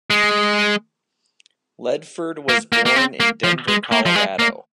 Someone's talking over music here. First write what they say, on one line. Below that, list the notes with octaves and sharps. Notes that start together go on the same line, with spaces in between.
Ledford was born in Denver, Colorado.
G#3
A#3
A#3
A#3
C4
A#3
F3
G#3
A#3
F3
G#3
A#3